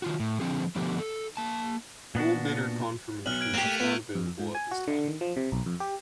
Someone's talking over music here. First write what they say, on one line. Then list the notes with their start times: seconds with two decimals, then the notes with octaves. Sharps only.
Full bidder confirmation was not available at this time.
0.02 D#3 F4 F#4
0.20 A2
0.40 D3 F3 C4 G#4
0.76 D3 F3 A3 B3 G4
0.99 A4
1.37 A#3 A5
2.15 A#2 B3 D4 F#4
3.26 B1 F6 F#6 F#7
3.40 F6 G#6 D7
3.54 A#3 C4 F#4 G4
3.66 A3 D#7 F7
3.80 B3
4.15 F2
4.39 G#2
4.55 G#5
4.71 F#4
4.88 D3
5.08 D#3
5.21 F3
5.36 C3
5.52 B1
5.66 F2
5.80 G4